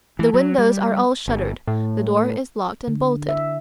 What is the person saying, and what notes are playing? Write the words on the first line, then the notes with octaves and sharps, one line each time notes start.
The windows are all shuttered, the door is locked and bolted.
E3
F#3
G3
G1
A2
D3
E5